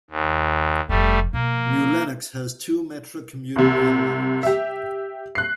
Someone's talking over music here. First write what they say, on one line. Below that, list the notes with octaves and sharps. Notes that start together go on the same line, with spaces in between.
New Lenox has two Metra commuter rail lines.
D#2
F1 F3 G3 A3
B2 F3 A#3
C2 C3
G4 E5
F#6 C7